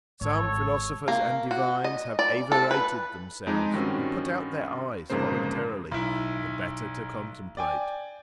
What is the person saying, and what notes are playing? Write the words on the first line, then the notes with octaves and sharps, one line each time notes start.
Some philosophers and divines have evirated themselves, and put out their eyes voluntarily, the better to contemplate.
G#1 A4 C#5
A#3
F#4
D#5
D5
A4
B4
F2 G#3 D#4
G2 D#3 C4 C#4 F#4
G1 F2 G#2 C#3 A#3 C5
B1 E4
D5 G5 G#5